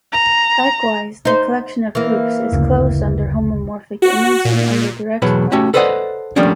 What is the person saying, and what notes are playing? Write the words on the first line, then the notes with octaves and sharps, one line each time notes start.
Likewise, the collection of groups is closed under homomorphic image and under direct product.
A#5
D#4 C5
E3 A#3
F#1 D2 C#3
F#4
A#2
E2 B2 F#3 B4
A3 C#4 F#4 G4
A4 B4 C5 D5 D#5 F#5
F3 G3 A3 A#3 C#4 D4